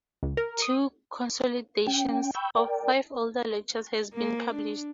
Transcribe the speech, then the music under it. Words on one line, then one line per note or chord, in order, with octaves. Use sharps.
Two consolidations of five older lectures have been published.
C#2
A#4
D#6
C#4 G5
G5 B5 C#6 E6 G6
A#4 D5 G5
A#3
D4